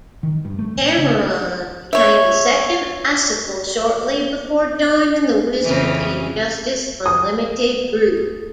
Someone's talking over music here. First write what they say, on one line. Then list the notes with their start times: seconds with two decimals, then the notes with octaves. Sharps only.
Cameron became the second Icicle shortly before joining the Wizard's Injustice Unlimited group.
0.23 D#3
0.45 G2
0.59 A3
0.76 A#1
0.97 C#3
1.93 C#5 E5
5.63 F2 C#3 E3
7.06 D#6